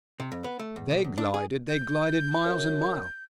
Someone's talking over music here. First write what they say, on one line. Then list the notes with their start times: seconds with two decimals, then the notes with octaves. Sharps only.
They glided--they glided miles and miles.
0.20 C3
0.32 F2
0.44 B3
0.59 A3
0.76 E2
0.91 B1
1.04 E2
1.18 D4
1.34 G#4
1.68 G6
2.45 F#2